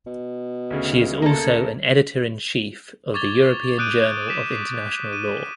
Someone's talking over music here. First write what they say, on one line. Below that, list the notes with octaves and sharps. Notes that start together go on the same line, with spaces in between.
She is also an Editor in Chief of the European Journal of International Law.
B2
D2 C#3
A#3 A4
C#6 D6 G#6 A6 F7 G7
D6 D#6 F#6 G6 D7 D#7
B6 E7
B6
D#7